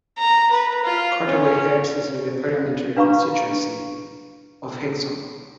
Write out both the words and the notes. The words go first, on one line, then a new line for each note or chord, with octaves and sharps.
Carterway Heads is in the parliamentary constituency of Hexham.
A#5
B4
F4
C#4
D4 B4 F5 A#5 B5 C#6